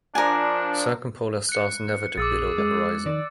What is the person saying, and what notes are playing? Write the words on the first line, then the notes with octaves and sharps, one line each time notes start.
Circumpolar stars never dip below the horizon.
F3 D4 A#4 G#5
F#6 C#7
A#1 G#4 D6 E6 A6
G#3
D#3 D5